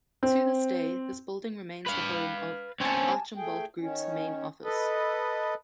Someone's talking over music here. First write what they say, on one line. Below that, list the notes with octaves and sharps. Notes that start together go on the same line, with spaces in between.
To this day, this building remains the home of Archambault Group's main office.
C4
B4 F5
C4 C#4 G#5 A5
A3 G#4 G5
D#3 C#4
A4 B4 D#5